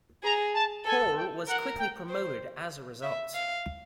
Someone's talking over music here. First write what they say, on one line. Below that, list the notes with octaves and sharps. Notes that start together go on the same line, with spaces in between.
Pohl was quickly promoted as a result.
G#4 A#5
A5
A4 G#5
G5
A#4 F#5
G5
C5
E5
F5